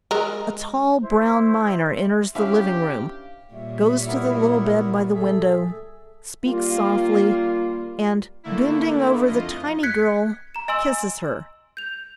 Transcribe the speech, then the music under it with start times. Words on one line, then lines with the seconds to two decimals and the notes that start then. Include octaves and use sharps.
A tall, brown miner enters the living room, goes to the little bed by the window, speaks softly, and, bending over the tiny girl, kisses her.
0.11 G#3 A#4
1.01 E4 C5
2.35 C#4 D4 E4 G4 B4 E5 F5
3.54 A#2 G3 C#5 E5
4.07 B3 E4 A#4
5.14 G#4 A4 E5
6.44 G3 A#3 F4
8.43 D3 A3 A#3 E4
9.27 F2 F4 D#5
9.83 F#6 G#6 B6 C#7
10.55 A#5 E7
10.68 D#5 G#5 C6 E6 E7 F#7
11.77 G6 F7